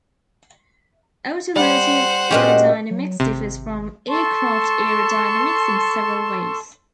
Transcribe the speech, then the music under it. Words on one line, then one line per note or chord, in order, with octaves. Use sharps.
Automotive aerodynamics differs from aircraft aerodynamics in several ways.
G3 C5 F#5
A#2 G#3 C#4 F#4 G4
F#3
G#1 C3
A4 A5 C6 C#6